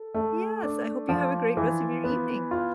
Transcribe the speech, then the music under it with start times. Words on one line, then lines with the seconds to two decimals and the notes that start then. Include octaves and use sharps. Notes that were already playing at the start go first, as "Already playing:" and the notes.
Yes. I hope you have a great rest of your evening.
Already playing: A4
0.14 A3
0.63 D4
1.09 F3
1.57 E3
2.04 B3
2.51 F4